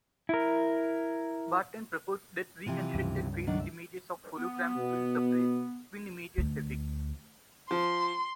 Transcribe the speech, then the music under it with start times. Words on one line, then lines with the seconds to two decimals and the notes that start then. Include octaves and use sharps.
Barton proposed that reconstructed phased images of holograms will suppress twin images effects.
0.29 E4 A#4
2.66 C3 E3 F3
2.94 C#2 G2
3.47 D#3 F#3 D4
3.60 E5
4.38 B3
4.77 B2
6.38 D2
7.71 F3 C6